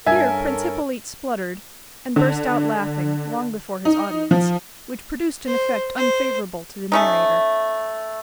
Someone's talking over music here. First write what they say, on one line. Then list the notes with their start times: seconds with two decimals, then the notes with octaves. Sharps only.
Here Prince Hippolyte spluttered and burst out laughing long before his audience, which produced an effect unfavorable to the narrator.
0.06 G2 C#4 A4 A#4 E5 G#5 G#6
2.16 D3
3.85 D#4
4.31 F3
5.47 C5
5.97 C5
6.92 A3 C#4 D#4